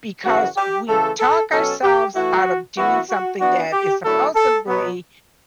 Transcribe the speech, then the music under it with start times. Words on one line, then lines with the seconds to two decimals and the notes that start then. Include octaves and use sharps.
because we talk ourselves out of doing something that is supposably
0.25 F#2 C#3 E3 F#4
0.57 G4
0.88 C#3 E3 A3 A4
1.20 A4
1.51 B2 F#3 C#4 A4
1.83 G4
2.15 E3 A3 E4 F#4
2.77 F#2 E3 B3 E4 F#4
3.10 F#4
3.41 E3 B3 D4 F#4
3.72 G4
4.04 F#2 D3 F#3 A3 E4 A4
4.35 A4
4.67 B2 F#3 B3